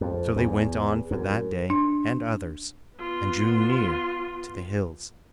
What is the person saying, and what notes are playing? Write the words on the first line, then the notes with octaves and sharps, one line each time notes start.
So they went on for that day and others and drew near to the hills.
F2
E2
F#2
D4
B3 F4